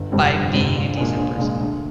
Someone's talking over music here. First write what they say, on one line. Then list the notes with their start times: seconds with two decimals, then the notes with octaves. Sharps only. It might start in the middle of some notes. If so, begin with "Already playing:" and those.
by being a decent person.
Already playing: G1
0.12 F2 C3 G3 C4
0.34 G1
0.54 F2 C3 G3 C4
0.76 A#1
0.97 A#2 G#3 D4 G#4
1.17 A#1
1.38 A#2 G#3 D4 G#4
1.60 D2